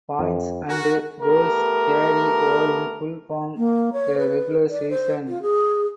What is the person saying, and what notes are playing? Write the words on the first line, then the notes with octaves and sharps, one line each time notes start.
Points and goals carry over in full from the regular season.
F2
F#4 A#4 G#5
A3 B3 G4 A#4
A#3
C#5
B4
D5
C5
F4
G#4